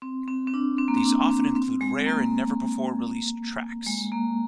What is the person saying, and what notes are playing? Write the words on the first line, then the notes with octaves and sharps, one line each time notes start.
These often include rare and never-before-released tracks.
C4
C4
C4
D4
C4
A#3
C4
D4
C4
C4
G#3
A#3
G#3
A#3